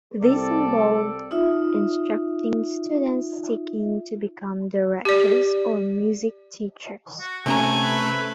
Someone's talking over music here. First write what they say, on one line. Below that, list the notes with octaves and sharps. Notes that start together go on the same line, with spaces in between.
This involved instructing students seeking to become directors or music teachers.
C2 C4 A4 D5
D#4 F4 E5
G4 D5
F#4
C3 A3 C#4 G#5 A#5
B4